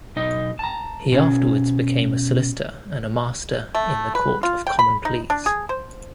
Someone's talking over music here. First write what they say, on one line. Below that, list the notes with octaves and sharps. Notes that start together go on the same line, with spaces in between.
He afterwards became a solicitor and a master in the Court of Common Pleas.
B1 D#4 D#5
A5 A#5
B2 C#4
A3
B4
F4
G5
B5
D#4
D4
G#4
C5